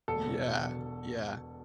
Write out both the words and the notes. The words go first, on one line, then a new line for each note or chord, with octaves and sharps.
Yeah, yeah.
E1 A4
E1
B2